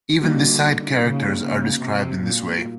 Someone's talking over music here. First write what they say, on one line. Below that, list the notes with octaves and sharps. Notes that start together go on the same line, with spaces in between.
Even the side characters are described in this way.
D3 G3 A#3 D#4 F#4
C#3
C#3
C3
A#2